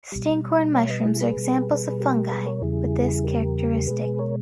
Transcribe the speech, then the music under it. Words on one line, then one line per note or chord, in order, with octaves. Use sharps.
Stinkhorn mushrooms are examples of fungi with this characteristic.
B2 G3
C#5 E5
B4 D#5
E4 G#4
G#4 B4
B2 G3
G4 A#4
G#4 B4
A#4 C#5
E2 C#3 G3 E4 G#4
G4 A#4
B2 G#3 G#4 B4
A#4 C#5